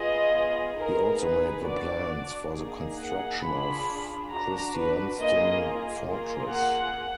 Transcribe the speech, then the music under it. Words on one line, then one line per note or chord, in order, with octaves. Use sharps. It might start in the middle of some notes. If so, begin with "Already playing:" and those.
He also made the plans for the construction of Kristiansten Fortress.
Already playing: B3 F4 G#4 D#5
B3 D#4 G#4 A#4
B4
D4 F#4 D5
A#3 D#4 G#4
F#5
D4 F4 G#4 B5
D4 F#4 A#5
B4
A#3 F4 G#4 D#5
A#3 F4 G#4
F#5